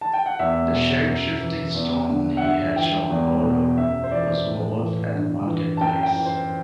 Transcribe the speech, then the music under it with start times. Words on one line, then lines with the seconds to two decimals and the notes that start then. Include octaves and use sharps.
The shapeshifting stone he had shown Odo was bought at a marketplace.
0.01 A5
0.13 G5
0.26 F#5
0.39 E2 E5
0.72 B2
1.07 F#2
1.41 E3
1.74 E2
2.09 D3
2.37 F#5
2.42 G2 E5
2.75 E3 G5
3.10 E2
3.43 B2
3.77 F#2 E5
4.04 C5
4.12 E3 D5
4.46 A2
4.80 E3
5.13 G2
5.46 E3
5.77 A5
5.81 F#2 G5
6.03 G5
6.15 E3
6.26 C5